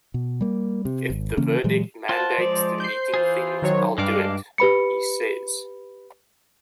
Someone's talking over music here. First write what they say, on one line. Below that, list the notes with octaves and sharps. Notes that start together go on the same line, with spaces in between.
"If the verdict mandates deleting things, I'll do it," he says.
B2
G3 A#3
C3
G#1
C#3 E3 A#3 C#4
A#2 E3 F#3 G#3
F4 F#4 C5 A5
F3 G#3 D5
G6 C7
E3 F4 G#4
D#3 F#3 C#5
G2 G#3 D4 F5 D6
G4 B4 B5 C#7